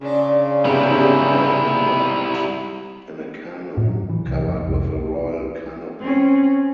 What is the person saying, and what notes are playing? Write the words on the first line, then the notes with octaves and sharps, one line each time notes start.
The young man embarked in a canoe covered with a royal canopy.
A#2 C#3 D4
G#2 C3 G3 B3 E4
A2
F#3
E3
C2
F2
C2
C4 C#4